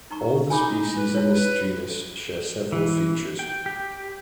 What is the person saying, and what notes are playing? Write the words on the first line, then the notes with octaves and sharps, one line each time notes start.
All the species in this genus share several features.
D#4 A#5 C#6
D#4 G#5 B5 D6
B4
E4 C#5
B4
E3
G5
G4